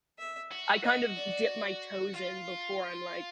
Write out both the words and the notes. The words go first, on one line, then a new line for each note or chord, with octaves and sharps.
I kind of dip my toes in before I'm like,
E5
F#4
F#4 D#5
D5
F4